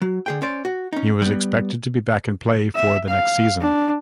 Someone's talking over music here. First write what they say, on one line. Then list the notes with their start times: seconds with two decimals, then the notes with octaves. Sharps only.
He was expected to be back in play for the next season.
0.02 F#3
0.26 D3 G#4 G5
0.42 C#4 C5 D5
0.65 F#4
0.93 C#4 D#4
1.22 G3 B3
2.75 E5
3.09 F5
3.61 D4